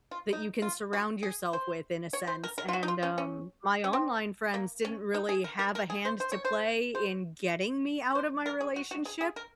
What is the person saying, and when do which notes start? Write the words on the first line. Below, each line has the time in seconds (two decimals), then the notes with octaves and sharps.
that you can surround yourself with in a sense. and, um my online friends didn't really have a hand to play in getting me out of my relationship,
0.11 F4
0.33 D#4
0.62 F4
0.93 F#4
1.23 G#4
1.53 C5
2.13 C#5
2.27 C5
2.44 A#4
2.58 A#4
2.68 F4
2.73 F#4
2.83 D#4
2.88 F4
3.03 C#4
3.18 C#4
3.84 C#4
3.93 C4
4.54 A#3
4.85 C#4
5.14 D#4
5.29 G#4
5.44 A#4
5.59 A#4
5.75 A#4
5.90 G#4
6.05 C5
6.20 C5
6.32 C#5
6.45 C5
6.95 C5
8.15 C5
8.46 A#4
8.61 G#4
8.76 F#4
8.91 F#4
9.05 G#4
9.21 G#4
9.36 A#4